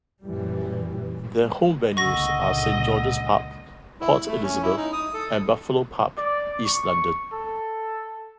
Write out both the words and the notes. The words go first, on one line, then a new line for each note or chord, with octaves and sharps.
Their home venues are Saint George's Park, Port Elizabeth and Buffalo Park, East London.
F#2 A#2 E3 G3
C#2 A#2 D3 D#5 F#5 C#6 E6 A#6
E4
A3
C#4
E4
D#4
D#6
A4
D5
C#6
A4